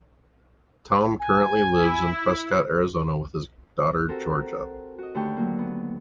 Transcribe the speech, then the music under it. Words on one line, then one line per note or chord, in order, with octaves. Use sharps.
Tom currently lives in Prescott Arizona with his daughter, Georgia.
G#5
E4
C4 F#4 G4 A4 A#4 C5
F#4 D#5
D#2 D3 A3 G4 G5 C#6
F#3 A#3
B3